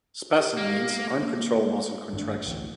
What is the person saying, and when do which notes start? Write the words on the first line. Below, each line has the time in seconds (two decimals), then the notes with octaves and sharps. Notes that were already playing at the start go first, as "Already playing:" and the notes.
Spasm means "uncontrolled muscle contraction".
0.38 G4
0.57 A#3
0.96 A3
1.22 A#3
2.13 G#1 G2 A3 D4
2.46 A1 D2